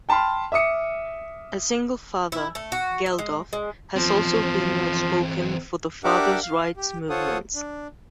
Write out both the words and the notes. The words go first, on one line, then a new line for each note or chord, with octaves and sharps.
A single father, Geldof has also been outspoken for the fathers' rights movement.
G5 A5 B5 C6 F6
E5 D6 D#6 C#7
E4
A3
F#4
E5
G#3
G#3
E2 F3 C4
D4 G4 A#4 E5 F#5 D6
F5
G4
F4 A4 C5 C#5 F#5 D#6
D4